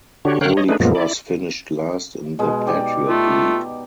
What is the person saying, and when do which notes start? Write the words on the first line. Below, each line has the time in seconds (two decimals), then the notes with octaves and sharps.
Holy Cross finished last in the Patriot League.
0.25 D3 D4 F#4 G4 C#5
0.41 D3 A#4 C#5 F5 G5 F#6
0.57 C#5 D#5
0.69 A3 D4 D#4 G#4 B4
0.80 F#2 A#2 F3 G#3 A#3 B3
0.95 E4 D5
2.39 B2 G#3
2.66 D#4 G4 D5
3.09 A3 F4